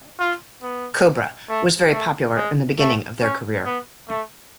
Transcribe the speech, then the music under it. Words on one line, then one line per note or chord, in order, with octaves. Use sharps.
Cobra was very popular in the beginning of their career.
F4
B3
A3
A3
G#3
A3
C#4
B3
A3